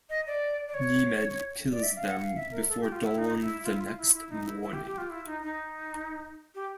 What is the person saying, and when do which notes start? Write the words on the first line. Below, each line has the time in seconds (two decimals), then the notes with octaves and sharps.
Nemed kills them before dawn the next morning.
0.10 D#5
0.27 D5
0.68 D5
0.74 C#5
1.71 D5
1.83 E5
1.96 F5
2.08 F#5
2.20 F5
2.36 E5
2.52 A#4
2.69 A4
2.81 G4
2.92 F4
3.04 E4
3.16 D#4
3.41 E4
3.64 F4
3.74 E4
3.80 F4
3.97 E4
4.14 E4
4.29 D#4
4.45 E4
4.62 E4
4.73 G4
4.86 G4
4.98 F4
5.10 E4
5.26 D#4
5.42 D#4
6.55 G4